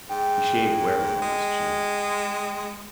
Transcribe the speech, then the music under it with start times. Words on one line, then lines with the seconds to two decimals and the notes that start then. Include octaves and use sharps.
He shaved warily over his chin.
0.09 G#2 G5
1.22 G#3